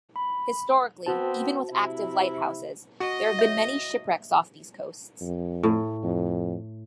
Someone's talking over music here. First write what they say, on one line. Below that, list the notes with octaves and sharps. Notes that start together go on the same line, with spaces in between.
Historically, even with active lighthouses, there have been many shipwrecks off these coasts.
B5
B3 C4 F#4 C5 A5
C3 E4
F#4 D#5
C#5 E5
F2
A2
F2